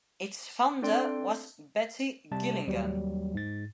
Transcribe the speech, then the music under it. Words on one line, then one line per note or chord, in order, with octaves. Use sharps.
Its founder was Betty Gillingham.
C4 D4 A4 D5 G5 C6
C3 G3 A5
D#2 F#3 G3
G#2 A6